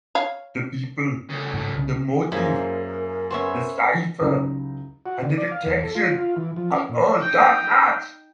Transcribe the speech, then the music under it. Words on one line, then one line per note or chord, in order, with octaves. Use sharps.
The people, the motive, the cipher, and the detection are all topnotch.
C#5 F5
C#3 A3
G#2
C2 C#3
G#4
F#2 A#3 E4 G#4 A#4 C5
B3 C#4 C5 C#5 E5
C#2 F#3 D#4 E4 G4 A#5
F#4
D3
D5
F5
E2
A4
F4
F4
E3
F3
C#4
A#2
D#4 G5